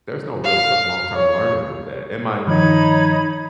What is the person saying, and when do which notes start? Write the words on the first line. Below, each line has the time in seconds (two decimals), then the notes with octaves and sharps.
There's no real t long-term learning with that, in my opinion.
0.44 F5
1.14 C#5
2.47 G2 D#3 F3 D#4 C#5 B5